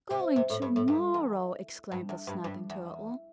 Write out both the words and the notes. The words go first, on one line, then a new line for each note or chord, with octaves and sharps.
"Going to-morrow!" exclaimed the Snapping Turtle.
C3
C3
A2
G2
A2
G2
E2
G2
E2
G2
G2
E2